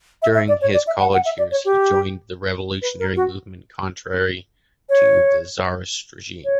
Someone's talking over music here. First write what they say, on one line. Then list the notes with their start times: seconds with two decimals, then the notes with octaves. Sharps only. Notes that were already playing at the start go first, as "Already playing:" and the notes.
During his college years he joined the revolutionary movement contrary to the tsarist regime.
0.22 E5
0.35 E5
0.48 D5
0.61 C#5
0.73 D5
0.87 E5
1.00 F#5
1.13 F#5
1.25 E5
1.38 D5
1.51 C#5
1.65 G4
2.82 B4
2.99 A#4
3.16 F#4
4.89 C#5
6.45 C#5